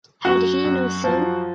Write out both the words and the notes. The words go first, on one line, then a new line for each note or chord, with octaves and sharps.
Had he no sin?
F#2 F#4
F#2
F3